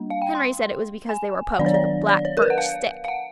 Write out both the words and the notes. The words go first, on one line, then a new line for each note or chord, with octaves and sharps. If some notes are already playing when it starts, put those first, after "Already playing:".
Henry said it was because they were poked with a black-birch stick.
Already playing: G3 A#3 D4
F5
G5
C6
G#5
D#3 F#3 B3 D4 D5
C#5
D5
D5
C#5
A#4
B4
F#5
F5
F5
F#5